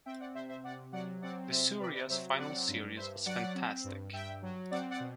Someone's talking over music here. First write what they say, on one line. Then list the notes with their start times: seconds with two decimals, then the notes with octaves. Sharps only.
Licuria's final series was fantastic.
0.06 C4 E5 G5
0.20 D5 F#5
0.34 C3 C5 E5
0.49 C5 E5
0.64 C3 D5 F#5
0.92 F#3 D5 F#5
1.22 C4 D5 F#5
1.51 C3 C5 E5
1.80 C3 B4 D5
1.94 B4 D5
2.09 F#3 C5 E5
2.38 C4 D5 F#5
2.68 G2
2.96 G2 C5 E5
3.26 F#3 D5 F#5
3.55 C4
3.84 G2
4.13 G2 E5 G5
4.42 F#3
4.71 C4 D5 F#5
4.91 D5 F#5
5.00 B2